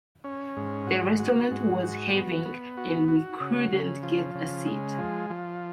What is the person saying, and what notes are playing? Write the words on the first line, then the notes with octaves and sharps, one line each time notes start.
The restaurant was heaving and we couldn't get a seat.
C#4
G#2
F#4
F#4
G#2
F#4
B3
B3
F#4
F#4
C#3
C#3
F3
C#3
G#3
F3
F3